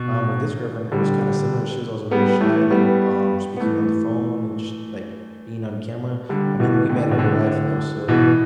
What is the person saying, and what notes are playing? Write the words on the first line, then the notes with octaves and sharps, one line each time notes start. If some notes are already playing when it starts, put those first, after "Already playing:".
um, with this girlfriend, it was kinda similar, she was also very shy, like, um, speaking on the phone and just, like, being on camera, I mean, we met in real life, though, so,
Already playing: B2
D3 G3
G3 B3
E3 A3
G3 B3
B3
E3 A3
D3 G3
B2 E3
A2 D3
A2
B2
A2 D3
B2 E3